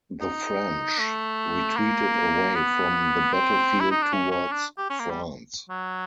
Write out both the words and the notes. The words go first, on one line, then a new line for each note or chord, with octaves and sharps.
The French retreated away from the battle field towards France.
D#4
A3
A#3
B3
C4
E4
D#4
D4
C#4
C#4
D4
G4
C#4
A#3
G3
F#3